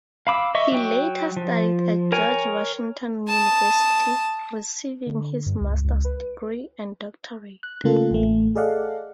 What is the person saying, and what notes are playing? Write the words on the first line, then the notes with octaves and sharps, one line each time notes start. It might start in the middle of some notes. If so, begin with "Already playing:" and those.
He later studied at George Washington University, receiving his master's degree and doctorate.
F5 B5 D6 E6
D#5 E5 C#6
F#3 G5
F3
A#4 C#5 G5 G#5
A5 D#6
D3
G2
C#2
C#2
B4
F#6
C#3 A3 A#3 F4 A4
A1 A3
G#4 A4 D5 D#5 F5 F#5